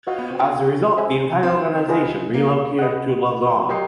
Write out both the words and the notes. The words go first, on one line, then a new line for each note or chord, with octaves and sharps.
As a result, the entire organization relocated to Lausanne.
F4 F#4 B4 D#5 F#5
B3
C4
C#4
C5 E5 G#5
C4
F4 G#4 B4 D#5 G#5
A#3
B4 D#5 F#5
F#3 G4 A#4 D#5 G5 C6